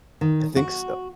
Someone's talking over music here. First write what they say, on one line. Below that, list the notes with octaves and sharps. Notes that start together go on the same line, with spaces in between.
I think so
D#3
F#4